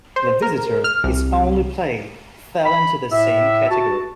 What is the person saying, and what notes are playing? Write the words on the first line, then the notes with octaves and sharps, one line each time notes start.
"The Visitor", his only play, fell into the same category.
C5
A#4
F6
C2
B5
A2 E5
F#4 A5